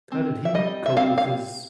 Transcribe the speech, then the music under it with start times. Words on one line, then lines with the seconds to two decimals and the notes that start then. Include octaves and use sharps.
how did he cope with his
0.12 C4
0.45 E5
0.54 G3 D#5
0.86 E5
0.97 C4 F5
1.18 F5